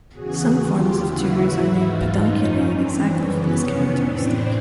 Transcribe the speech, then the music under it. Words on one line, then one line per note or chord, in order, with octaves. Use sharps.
Some forms of tumors are named pedunculated exactly for this characteristic.
E2 C#3 E3 F#4 G#4
D#2 D3 F4 G4
D#2 C#3 E3 E4 F#4
G#2 E3 E4 F#4
G#2 E3 D#4 F4
F#2 D#3 C#4 D#4
G2 E3 C4 D4
F#2 C#3 E3 B3 C#4
F2 C3 D#3
A2 E3 C4 D4